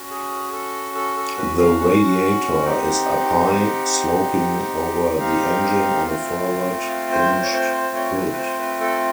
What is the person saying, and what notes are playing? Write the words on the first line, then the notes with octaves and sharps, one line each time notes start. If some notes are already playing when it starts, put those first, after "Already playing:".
The radiator is up high, sloping over the engine on a forward-hinged hood.
Already playing: C#4 F#4
G#4
A4
A4
A4
B4
F5
F#5
C4 D#4 G4
F5
A3 C4 F4
F5
C5
C5
C#5
C5
C5
C#5
B4
B4
C5
B4
A4